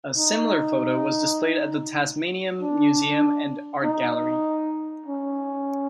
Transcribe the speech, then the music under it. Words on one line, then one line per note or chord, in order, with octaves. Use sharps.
A similar photo was displayed at the Tasmanian Museum and Art Gallery.
D#4
D4
D#4
C#4